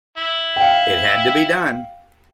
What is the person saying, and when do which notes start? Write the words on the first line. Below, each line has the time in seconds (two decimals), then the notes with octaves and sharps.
It had to be done.
0.17 E4
0.56 F5 G5